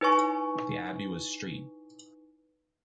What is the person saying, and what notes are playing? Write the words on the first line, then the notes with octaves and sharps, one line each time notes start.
The abbey was St.
D#4 E4 B4 C#5 G#5 C#6